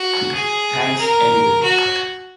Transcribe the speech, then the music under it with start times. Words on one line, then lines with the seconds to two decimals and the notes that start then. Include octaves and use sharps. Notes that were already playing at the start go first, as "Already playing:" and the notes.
Thanks anyway.
Already playing: F#4
0.34 G#4
0.99 A#4
1.63 F#4